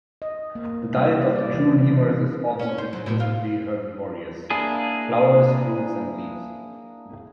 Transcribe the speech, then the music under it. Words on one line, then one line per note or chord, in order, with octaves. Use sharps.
The diet of the true lemurs is almost exclusively herbivorous: flowers, fruits and leaves.
D#5
A#3
G3
D5
E3
C#4
C5
F#3
A2
F4
A#3 D4 E4 G#4